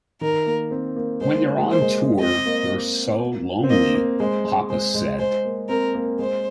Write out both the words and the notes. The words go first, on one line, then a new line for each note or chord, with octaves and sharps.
"When you're on tour, you're so lonely," Hoppus said.
D#3 A#4
A#3
C4
A#3
G#3 C5
A#3
A#3
G#3
A#3 C5
G#3
C4 D#5
A#3
C4
A#3 D#5
A#3
G#3 C5
G#3
G#3 C5
G#3
G#3 C5
A#3
C4 A#4
A#3
G#3 C5